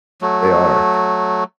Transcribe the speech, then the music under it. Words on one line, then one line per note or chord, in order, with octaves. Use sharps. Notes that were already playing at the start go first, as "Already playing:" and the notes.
They are,
F#3 A3